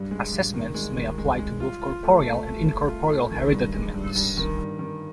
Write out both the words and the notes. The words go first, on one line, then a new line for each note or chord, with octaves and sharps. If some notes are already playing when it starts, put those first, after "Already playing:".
Assessments may apply to both corporeal and incorporeal hereditaments.
Already playing: G2
G#3
G2
D#3
G#3
D#3
G#3
G#3
F4
F4
A3
A3
A3
A3
F4
A3
D#3
G2
G#3
G2
G2
D#3
G2
D#3